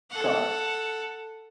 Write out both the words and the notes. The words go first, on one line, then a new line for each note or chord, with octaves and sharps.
Got it.
A4 F#5